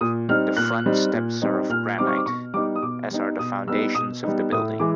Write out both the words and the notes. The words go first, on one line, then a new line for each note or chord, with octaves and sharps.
The front steps are of granite, as are the foundations of the building.
A#2 D#6
G3 C4 D#4 F6
A#2 F#6
G3 C4 D#4
A#2
G3 C4 D#4
A#2 F6
G3 C4 D#4 D6
C#6
D6
B2 C#6
G3 B3 D#4 D6
D#6
B2 D6
G3 B3 D#4
B2 D#6
G3 B3 D#4 E6
B2 D#6
G3 B3 D#4
A2 D#6
E3 G#3 D6